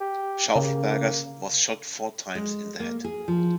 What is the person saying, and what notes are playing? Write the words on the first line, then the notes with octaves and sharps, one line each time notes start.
Schaufelberger's was shot four times in the head.
G4
C#3 A#3
G#3
A#3
G#4
F3